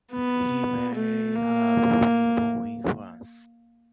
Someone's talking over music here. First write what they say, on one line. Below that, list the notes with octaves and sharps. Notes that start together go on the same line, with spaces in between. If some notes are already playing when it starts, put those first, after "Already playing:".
He may have been born in France.
B3
A3
A#3